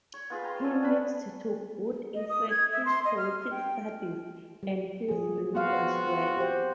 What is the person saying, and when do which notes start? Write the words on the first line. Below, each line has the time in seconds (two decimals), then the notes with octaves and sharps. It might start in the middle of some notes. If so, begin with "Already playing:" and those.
He mixed to good effect his poetic studies and his religious work.
0.14 C#5
0.30 B3 F4 G#4 B4
0.43 G5 A#5 C6
0.63 C#4 A4 D5 D#5
0.82 D4 G4 G#5 B5
2.14 D#5
2.29 D#6
2.50 G#6
2.72 E5
2.85 C6
3.05 D#5
3.17 F6
3.51 G5
4.63 G3
5.08 F3 G#4
5.55 B3 C4 F4 F#4 F5
6.37 G4 C5